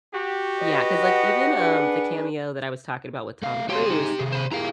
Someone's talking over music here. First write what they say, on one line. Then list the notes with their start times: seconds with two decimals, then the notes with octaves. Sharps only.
Yeah, 'cause, like, even, um, the cameo that I was talking about with Tom Cruise,
0.14 F#4 G4
0.60 B4 D#5
1.03 F#5
1.55 D4 G#4 B4
3.43 A3 F5
3.69 F#4 G4 C#5 F5 C6
3.86 D#4 G#4
4.19 C3 G#4
4.32 C5 B5
4.52 E4 G4 G#4 F5 A#5